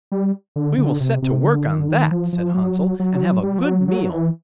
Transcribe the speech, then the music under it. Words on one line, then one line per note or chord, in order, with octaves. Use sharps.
'We will set to work on that,' said Hansel, 'and have a good meal.
G3
D3
D3
C3
C3
D3
D#3
D3
D#3
F3
F3
F#3
F#3
G3
F3
F#3
F#3
E3